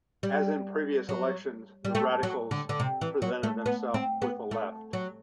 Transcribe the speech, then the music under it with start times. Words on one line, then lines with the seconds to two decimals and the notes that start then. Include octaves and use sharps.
As in previous elections, the radicals presented themselves with the left.
0.23 G3
1.09 F#3
1.85 G3
1.95 A3
2.23 F#3
2.51 D3
2.69 D3
2.80 C3
3.01 E3
3.22 F#3
3.43 A3
3.66 B3
3.94 C4
4.22 B3
4.51 A3
4.93 F#3